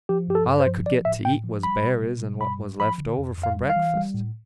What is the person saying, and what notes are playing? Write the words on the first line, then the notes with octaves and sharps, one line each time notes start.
All I could get to eat was berries and what was left over from breakfast.
F3 G4
G2 G4
A4
G2
C5
F3
F3 D5
A2 E5
A2 G5
F3
G3 B5
B2
B2
G3
G2 B5
G2
F3 B5
D3
F2
F2
F5
G3
F5
E3
G3
A2